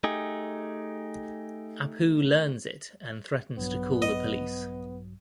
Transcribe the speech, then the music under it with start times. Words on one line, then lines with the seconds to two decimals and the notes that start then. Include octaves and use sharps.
Apu learns it and threatens to call the police.
0.04 A3 D#4 G4 G#4
3.58 A#1 G2 F#3 B3
4.02 D#5